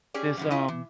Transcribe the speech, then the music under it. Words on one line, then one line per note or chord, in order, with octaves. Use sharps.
this, um
C#4 G4 G#4 D5
F#2 C#3 F3
E4 F4 D#5
E3